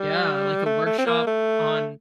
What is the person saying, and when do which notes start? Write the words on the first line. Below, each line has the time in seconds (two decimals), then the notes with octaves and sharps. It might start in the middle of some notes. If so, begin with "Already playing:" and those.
Yeah, like a workshop on
Already playing: G3
0.66 A3
0.86 A3
0.99 C4
1.07 A#3
1.27 A3